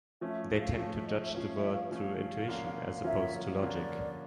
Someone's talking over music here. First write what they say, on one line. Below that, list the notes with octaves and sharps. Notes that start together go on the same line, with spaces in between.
They tend to judge the world through intuition as opposed to logic.
F3 A3 C#4 E5
F5
F3 A3 C#4 F5
E5
D#5
E5
F3 A3 C#4 F5
E5
F5
F3 A3 C#4 F5
D3 F3 A#3 C#4 F4
D3 F3 A#3 C#4 F4 E5
D#5
D3 F3 A#3 C#4 F4 D5